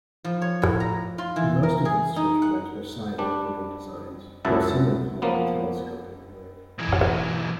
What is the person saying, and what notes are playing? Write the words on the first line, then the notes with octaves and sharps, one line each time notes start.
Most of these switchblades were side-opening designs, though some employed a telescoping blade.
F3
C#5
A2
A#5
F4
E3
A#4
G#4
D#4
F#5
G3 D4
C#2 F#2 E4 F#5 A5
F3 A#3 B3
B1 E3